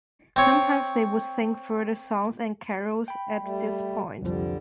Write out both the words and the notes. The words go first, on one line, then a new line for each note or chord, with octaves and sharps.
Sometimes they would sing further songs and carols at this point.
C4 C#5
G5 B5
G3 A3
C2 F2 D3 F3 G3